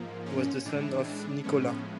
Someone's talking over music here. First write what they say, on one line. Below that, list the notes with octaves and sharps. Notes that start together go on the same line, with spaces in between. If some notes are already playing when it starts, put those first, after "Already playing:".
He was the son of Nikola.
Already playing: G#2 F3 A#3
C#4
A2 E3 G#3 D4
D4
A2 F3 G#3 B3 C#4